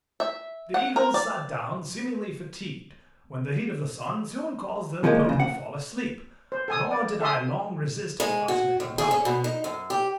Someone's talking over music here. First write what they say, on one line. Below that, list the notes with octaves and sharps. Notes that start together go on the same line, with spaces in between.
The eagles sat down seemingly fatigued, when the heat of the sun soon caused them both to fall asleep, nor did I long resist its fascinating power.
E5
F#5
A#4
D5
F3 G#3 A#3
D2 C#3
F#5
C5
A4 G#5 D#6
D5
A4 E5 A5 C6 D#6
G#3
F#4
D#2
G#4
C#4
B2
D#4
F#2
G4